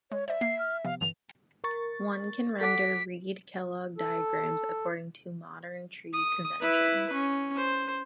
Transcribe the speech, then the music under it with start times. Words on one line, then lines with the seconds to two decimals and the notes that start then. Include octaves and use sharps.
One can render Reed-Kellogg diagrams according to modern tree conventions.
0.11 G#3 C#5
0.28 C5 D5 E5
0.41 A#3 C7
0.59 F6
0.84 C3 F3 B3 F5
1.01 G2 D3 E3 F7
1.64 A#4 C#6 A6
2.61 A4 F#5 D6 B6 D7
3.98 A4
6.13 D#6
6.61 E4 B4
7.13 C#4
7.56 C5